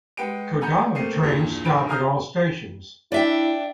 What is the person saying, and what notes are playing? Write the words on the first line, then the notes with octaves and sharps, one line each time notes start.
"Kodama" trains stop at all stations.
G#3 B4 F#5 G5 D7
F#5 G#5 A#5 B5 G6 C#7
A3 A#3 C4 C7 D#7
E2 G2 A#2
A#1 D3 D#3 B5 D7
F5 G#5 A#5 D#6 F6 G6
D4 E4 D5 E5 G5